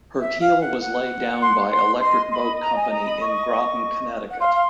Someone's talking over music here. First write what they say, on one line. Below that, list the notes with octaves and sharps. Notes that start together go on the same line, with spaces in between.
Her keel was laid down by Electric Boat Company in Groton, Connecticut.
E5
F5
F#5
F#5
C6
C6
D#5 C6
C6
B5
A#5
G#5
A#5
B5
C#6
F#5
F5 C6
F5